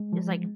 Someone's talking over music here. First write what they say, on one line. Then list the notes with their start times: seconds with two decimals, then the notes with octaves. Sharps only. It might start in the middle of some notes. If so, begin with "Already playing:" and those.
it's like
Already playing: G#3
0.13 F3